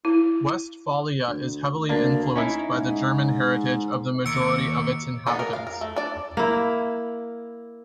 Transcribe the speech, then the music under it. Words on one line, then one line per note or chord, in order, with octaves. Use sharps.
Westphalia is heavily influenced by the German heritage of the majority of its inhabitants.
E4
D2
D2 A#3 D4
C#4 D#4 E4
G#2
D#2 C#6 D6 E6 C#7 D7
A#3 B3 D4 D#4 G#4
A#4
F5
A#4
A3
D4 D5
A#3 E4